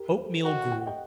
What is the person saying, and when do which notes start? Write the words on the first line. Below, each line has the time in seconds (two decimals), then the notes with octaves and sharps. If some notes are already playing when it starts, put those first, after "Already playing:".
Oat-meal Gruel.
Already playing: G4 A#4
0.11 A#4
0.18 A4 C5
0.45 F#4 D#5 G5
0.71 G5
0.79 F#5
0.86 D#5 G5